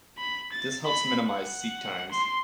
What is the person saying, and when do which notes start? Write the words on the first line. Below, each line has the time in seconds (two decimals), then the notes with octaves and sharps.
This helps minimize seek times.
0.18 B5
0.52 A6
0.86 B5
1.26 F#5
2.12 C6